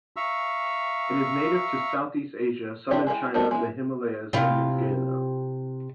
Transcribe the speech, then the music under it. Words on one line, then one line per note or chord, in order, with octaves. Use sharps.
It is native to Southeast Asia, southern China, the Himalayas, and New Guinea.
E5 F5 A#5 C#6 E6
C4 D4 E4 G4 D5
G#3 E4 A#4 G5
G3 A3 C4 D#4 A#4
G#3 E4
C3 E4 F4